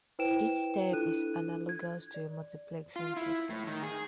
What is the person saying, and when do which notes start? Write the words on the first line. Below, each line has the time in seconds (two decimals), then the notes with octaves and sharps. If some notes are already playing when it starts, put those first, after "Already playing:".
Each step is analogous to a multiplexing process.
0.19 E4 B4 C5 G5 D7 E7
0.91 D4 E4 F4 A4 F#6 D#7
1.69 G#6
2.14 D5
2.96 F4
3.17 E4
3.50 A2
3.67 D#3
3.83 G#4